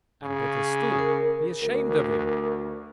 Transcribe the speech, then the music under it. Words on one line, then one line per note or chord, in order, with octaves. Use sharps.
And better still: be ashamed of him!
C#3
A#4
D2 A#4